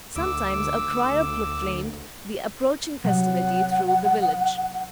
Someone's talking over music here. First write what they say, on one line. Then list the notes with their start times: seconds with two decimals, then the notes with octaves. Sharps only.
Sometimes a crier proclaimed the approaching festivity through the village.
0.16 D2 D6 E6
3.04 C3 F#3 F#5